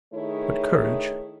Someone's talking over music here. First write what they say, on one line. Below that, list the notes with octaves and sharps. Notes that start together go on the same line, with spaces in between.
But courage!
D#3 A3 E4 G#4 C#5